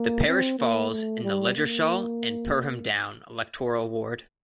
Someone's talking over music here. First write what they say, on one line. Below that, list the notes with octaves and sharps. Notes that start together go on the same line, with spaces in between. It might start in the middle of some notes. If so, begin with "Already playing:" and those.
The parish falls in the 'Ludgershall and Perham Down' electoral ward.
Already playing: A#3
C4
A#3
A3
G3
A#3